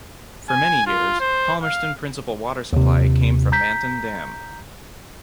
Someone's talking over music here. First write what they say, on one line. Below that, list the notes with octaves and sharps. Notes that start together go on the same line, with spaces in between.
For many years, Palmerston principal water supply came from Manton Dam.
G#5
F4
C5
F5
D#2 C3
A#5 G6 B6